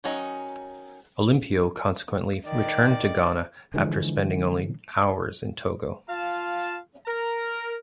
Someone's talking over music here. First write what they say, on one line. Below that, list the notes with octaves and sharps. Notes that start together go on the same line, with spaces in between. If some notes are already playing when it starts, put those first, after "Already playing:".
Olympio consequently returned to Ghana after spending only hours in Togo.
D#3 F#3 C#4 D#4
D#3 D5
D3 E3 F3 G#3
F4 F5 A5
A#4 A#5